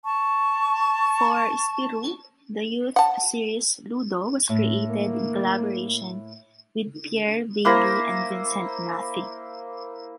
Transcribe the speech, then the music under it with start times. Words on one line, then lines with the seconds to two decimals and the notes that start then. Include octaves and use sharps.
For "Spirou", the youth series "Ludo" was created in collaboration with Pierre Bailly and Vincent Mathy.
0.04 A5 C#6
2.96 F#5 A5
4.49 A2
4.89 A#3
7.65 A#3 E4 C5 A#5